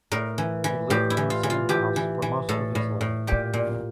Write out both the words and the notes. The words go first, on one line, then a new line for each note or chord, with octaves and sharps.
He lived in the same house for most of his life.
A2 A#4
E3
E3
A2 G4
E4
E3
F4
E3
F4
E3 G4
E3
E3
A2 A4
A2
A2
A#2 G4
A#2